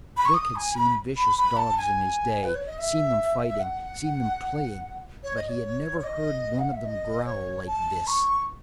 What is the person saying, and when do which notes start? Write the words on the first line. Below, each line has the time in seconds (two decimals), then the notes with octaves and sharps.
Vic had seen vicious dogs in his day, seen them fighting, seen them playing, but he had never heard one of them growl like this.
0.17 B5
0.25 C#6
0.34 D#6
0.56 G#5
0.75 B5
1.17 B5
1.37 B5
1.57 A5
1.78 G#5
2.44 B4
2.55 C#5
2.67 D#5
2.79 E5
3.48 E5
3.60 F#5
5.23 C#5
5.36 D#5
5.49 C#5
5.99 C#5
6.04 D#5
6.59 F#5
6.72 E5
6.86 D#5
7.26 C#5
7.67 A5
8.07 C#6